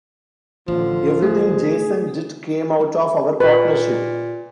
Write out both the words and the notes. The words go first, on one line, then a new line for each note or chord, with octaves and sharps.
Everything Jason did came out of our partnership.
A1 D3 F3
A3 G#4
A#2 B4